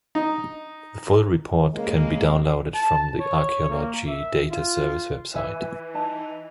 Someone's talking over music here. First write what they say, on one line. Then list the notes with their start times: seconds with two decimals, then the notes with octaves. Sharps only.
The full report can be downloaded from the Archaeology Data Service website.
0.15 D#4
1.74 C#3 G#3 A#3
2.74 A5
3.20 C#5
3.69 A#3
4.07 E5
4.51 F4
5.34 E3 E4 B4 E5 G#5
5.95 D#4 A5